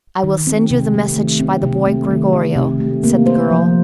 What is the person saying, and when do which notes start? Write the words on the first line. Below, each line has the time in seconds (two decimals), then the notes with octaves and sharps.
"I will send you the message by the boy Gregorio," said the girl.
0.24 D#3
0.47 C4
0.71 C3
0.94 A3
1.17 D#3
1.40 C4
1.63 C3
1.87 A3
2.11 D#3
2.33 C4
2.56 C3
2.80 A3
3.04 A#3
3.26 C5
3.50 F3